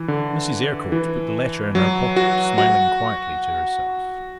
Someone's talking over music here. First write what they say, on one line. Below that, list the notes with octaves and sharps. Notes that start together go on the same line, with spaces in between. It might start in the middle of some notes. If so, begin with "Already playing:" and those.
Mrs. Eyrecourt put the letter in her pocket smiling quietly to herself.
Already playing: E3
D3
E3
F#3
F#4
F#4